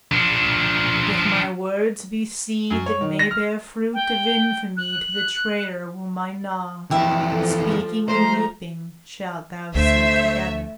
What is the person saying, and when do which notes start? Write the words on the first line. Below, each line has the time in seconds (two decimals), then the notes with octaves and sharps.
But if my words be seed that may bear fruit Of infamy to the traitor whom I gnaw, Speaking and weeping shalt thou see together.
0.12 F3 D4
2.70 F#2
2.86 C#5
3.01 D#3
3.19 A#6
3.31 F6
3.94 G5
4.77 F#6
6.91 F2 E3 G4 E5
7.33 F3 A4
8.08 F3 A3 C5 A#5
9.75 D2 A3 C5 E5